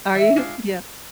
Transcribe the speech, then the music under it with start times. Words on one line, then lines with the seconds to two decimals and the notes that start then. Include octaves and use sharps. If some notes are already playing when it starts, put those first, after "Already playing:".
Are you? Yeah.
0.14 E3 E5
0.36 G#3 D4 F4